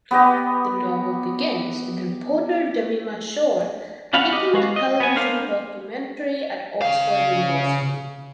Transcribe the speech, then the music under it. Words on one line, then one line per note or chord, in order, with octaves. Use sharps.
The novel begins with reporter Jemima Shore making a television documentary at Oxford University.
B3 G4 D#5
G3 C#4 F4 F5 F#5 B5
G4 D#5
G#3 F#4 F5
D#5
B3 G#5
D4 A#4 C5 F5
C#3 F5